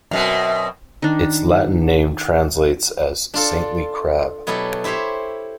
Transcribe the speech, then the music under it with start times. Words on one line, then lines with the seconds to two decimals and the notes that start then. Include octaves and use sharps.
Its Latin name translates as "saintly crab".
0.11 F#2 B2 C4
1.02 D#3 D4
3.34 D4 F4 A4
4.47 B2 F#3 B3 E4 G4 A4
4.84 E4 G4 C5 C#5 E5